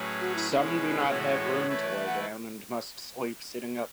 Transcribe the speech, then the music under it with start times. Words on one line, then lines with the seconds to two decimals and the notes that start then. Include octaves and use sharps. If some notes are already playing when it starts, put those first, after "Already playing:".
Some do not have room to lay down and must sleep sitting up.
Already playing: A2 F#3 C#4 G#4 B4
0.21 F#4
0.35 E4
0.50 B2 G#3 C#4 D#4 G#4 B4
0.65 E4
0.79 E4
0.89 E4
0.98 D#4
1.08 A2 E3 G#3 B3 F#4 C#5
1.23 C#5
1.67 E3 A3 E4 B4
1.96 E5
2.06 F#5